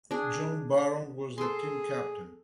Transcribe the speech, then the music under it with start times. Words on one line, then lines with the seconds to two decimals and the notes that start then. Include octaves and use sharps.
John Barron was the team captain.
0.11 D4 G#4
1.38 G#4 A4 C6